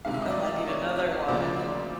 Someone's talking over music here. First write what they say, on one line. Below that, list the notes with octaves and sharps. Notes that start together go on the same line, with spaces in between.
I might need another one then."
D2 C3 D#3 G#3 F5
E5
D#5
D5 E5
C#5
D2 C#3 F3 A#3 C5 D5